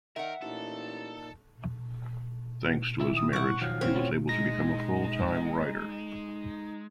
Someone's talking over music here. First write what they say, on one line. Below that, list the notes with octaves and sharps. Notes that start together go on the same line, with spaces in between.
Thanks to his marriage, he was able to become a full-time writer.
D#3 A#4 E5 F#5
A1 A#2 D#4 A4
D#3 E4 E5
D#6
F#5 C#6 D6
D#3 F3 F#3 F5
C4 C#4 C#5
A2 F4 F#4
G#3 D#4 D#5 A#6